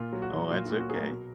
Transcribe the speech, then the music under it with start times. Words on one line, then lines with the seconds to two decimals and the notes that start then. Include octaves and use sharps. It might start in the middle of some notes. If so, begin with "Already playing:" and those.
Oh, that's okay.
Already playing: A#2 F4
0.13 F#3
0.22 F#4
0.32 F#3
0.51 A#2 F4
0.65 A#2 F4
0.80 F#4
0.89 F#3 G#4
0.94 A#4
1.09 B2